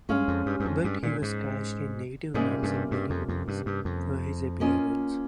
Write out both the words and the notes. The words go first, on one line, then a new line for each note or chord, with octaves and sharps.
But he was cast in negative roles in many movies for his appearance.
G2 G#3 C#4 G#4 C#5 F5
F2
G2
G2
F2
G2
A#2
G#2
G#2 C3 G3 A#3 C#4 G#4
G2
G2
F2
F2
G2
G2
F2
A#3 C#4 F4 C5 D#5